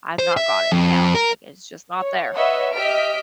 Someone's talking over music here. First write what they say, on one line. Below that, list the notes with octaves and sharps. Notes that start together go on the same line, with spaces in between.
I've not got it down, like, it's just not there.
C5
E5
F2
A#4
C#5
B4 C#5 D#5 E5 F#5
G4 D#5 E5 F6 B6 D7